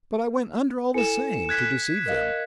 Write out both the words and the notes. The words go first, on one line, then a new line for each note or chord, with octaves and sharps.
But I went under all the same to deceive them.
E4 A4 G#5 C#7 E7
F#6 G#6 B6
A#4 D#5 F5